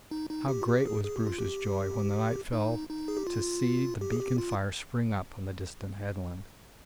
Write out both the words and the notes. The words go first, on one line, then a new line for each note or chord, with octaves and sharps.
How great was Bruce's joy when the night fell to see the beacon fire spring up on the distant headland!
D#4
D#4
G4
F4
G4
G#4
G#4
G4
F4
G4
D#4
D#4
G#4
G4
F4
G4
G#4
G4
F4